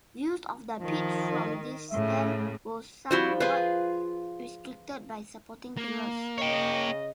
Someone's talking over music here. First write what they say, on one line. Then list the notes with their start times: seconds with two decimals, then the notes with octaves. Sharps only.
Views of the pitch from this stand were somewhat restricted by supporting pillars.
0.80 D#3 F3
1.91 A2 C#3 E5
3.11 F3 G3 E4 F#4 C5
3.40 F4 G#4 B4 C5
5.77 A#3
6.38 C#3 C#5 D#5 G5